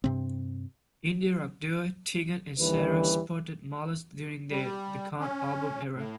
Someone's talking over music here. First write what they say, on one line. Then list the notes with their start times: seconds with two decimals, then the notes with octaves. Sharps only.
Indie rock duo Tegan and Sara sported mullets during their "The Con" album era.
0.04 G2 C3 C4
2.59 D#2 D3 E3 G3 C#4 B4
4.51 G3
5.19 C#4
5.95 A2